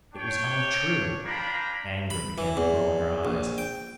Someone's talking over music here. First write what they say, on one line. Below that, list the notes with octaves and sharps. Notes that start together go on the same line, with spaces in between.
"It was all true." Anger began to grow in her eyes.
D4 C#5 G5
A#3 D4 F4 G5 A#5 B5
B5
E3
E2
A#1
G5